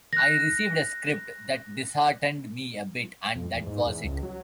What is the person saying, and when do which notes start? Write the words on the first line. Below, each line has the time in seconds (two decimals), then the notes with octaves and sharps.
I received a script that disheartened me a bit, and that was it.
0.13 F#6 A#6
3.35 F2
3.55 E2
3.67 G#2
3.86 E2
4.03 C#2
4.23 F#3